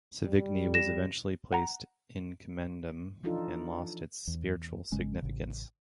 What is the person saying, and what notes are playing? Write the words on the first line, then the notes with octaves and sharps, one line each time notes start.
Savigny was eventually placed "in commendam" and lost its spiritual significance.
G3
A#6 E7
F#5 A#5
E3 F3 D4 D#4 F4 A4
E2
G#1 C#3 G#3 C#4
A1 C#3